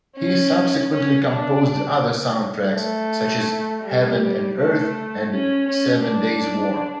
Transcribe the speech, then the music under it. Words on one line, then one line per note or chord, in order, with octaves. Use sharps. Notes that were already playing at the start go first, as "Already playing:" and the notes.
He subsequently composed other soundtracks such as "Heaven and Earth" and "Seven Days War".
C#4
C#4
D4
A3
G3
A3
C#4
C#4
D4